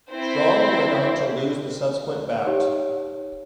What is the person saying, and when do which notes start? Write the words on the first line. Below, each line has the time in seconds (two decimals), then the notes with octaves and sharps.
Strong went on to lose the subsequent bout.
0.11 C4 E4 C5
2.46 D#4 G4 C#5